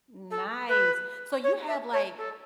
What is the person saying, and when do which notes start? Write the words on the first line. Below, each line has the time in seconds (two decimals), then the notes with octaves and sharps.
Nice. So you have, like,
0.30 A4
0.68 B4
1.43 C#5
1.68 E5
1.92 C#5
2.17 A4